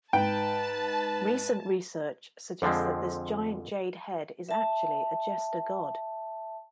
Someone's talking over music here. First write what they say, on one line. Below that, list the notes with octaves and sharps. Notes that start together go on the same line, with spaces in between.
Recent research suggests that this giant jade head is actually a Jester God.
G#2 B4 G5 A5
F2 D3 F3 G#3 C4
E5 A5